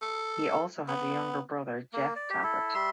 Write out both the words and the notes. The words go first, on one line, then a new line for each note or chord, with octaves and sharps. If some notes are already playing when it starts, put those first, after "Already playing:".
He also has a younger brother, Jeff Tapert.
A4
B3
A#3
D5
G4
E4 A4
G3 E5 C6